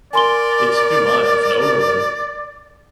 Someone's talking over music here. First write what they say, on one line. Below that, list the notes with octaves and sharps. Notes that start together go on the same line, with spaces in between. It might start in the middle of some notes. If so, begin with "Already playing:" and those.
It's too much, it's an overload.
A#4 D5 G#5 C6 G7